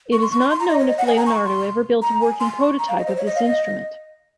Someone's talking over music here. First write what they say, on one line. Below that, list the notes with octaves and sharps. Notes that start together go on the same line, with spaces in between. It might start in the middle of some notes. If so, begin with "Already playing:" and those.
It is not known if Leonardo ever built a working prototype of this instrument.
C#6
C6
C#6
C6
C6
A#5
D#5
C#5
D#5
F#5
G#5
A#5
C#6
C6
A#5
G#5
C6
C#6
A#5
F5
D#5
C5
C#5
D#5
F5
D#5